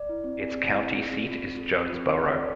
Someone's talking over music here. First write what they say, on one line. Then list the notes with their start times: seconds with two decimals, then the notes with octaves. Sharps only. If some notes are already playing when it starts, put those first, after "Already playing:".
Its county seat is Jonesboro.
Already playing: D5
0.09 E4
0.24 C4
0.39 G#4
0.54 C4
0.69 E4
0.84 C4
0.98 G#4
1.14 C4
1.29 F4
1.44 C4
1.59 A4
1.73 C4
1.88 F4
2.03 C4
2.18 A4
2.26 C#5
2.33 D4 D5